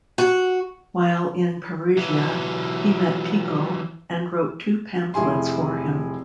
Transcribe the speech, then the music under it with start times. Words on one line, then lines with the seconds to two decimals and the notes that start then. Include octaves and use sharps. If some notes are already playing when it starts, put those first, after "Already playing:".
While in Perugia, he met Pico, and wrote two pamphlets for him.
0.18 F#4
1.97 E3 F#3
5.14 F1 E4 G#4 G#5 C6